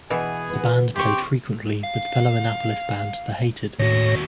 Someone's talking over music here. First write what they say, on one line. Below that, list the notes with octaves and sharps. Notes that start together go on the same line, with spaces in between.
The band played frequently with fellow Annapolis band The Hated.
B2 E3 B3 G#4 G#5
F#4 B4
C4 D4 E4 G4 C6 C#6
F5
D#2 A2 F#4 C#5 A#6